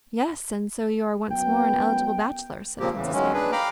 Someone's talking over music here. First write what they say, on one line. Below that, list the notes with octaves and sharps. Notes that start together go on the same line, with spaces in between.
"Yes, and so you are once more an eligible bachelor," said Princess Mary.
F#2 B3 G5
A#2 C#3 F3 A#3 C4 G4
E2 A2 C#3 E3
D#3 F#3 G#3 C#4
D4 G#4 B4
F5 G5 A#5 B5 D6 F6